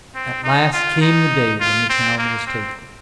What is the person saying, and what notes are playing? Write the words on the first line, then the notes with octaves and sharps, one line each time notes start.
At last came the day when the town was taken.
C4
D#4
F4
D#4
F4
C4
A#3
C4